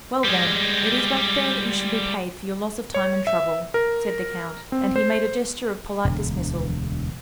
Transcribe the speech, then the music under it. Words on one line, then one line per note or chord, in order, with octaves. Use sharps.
"Well, then, it is but fair that you should be paid for your loss of time and trouble," said the count; and he made a gesture of polite dismissal.
G3 G#3
C#5
E5
A#4
C4
C5
E1 D2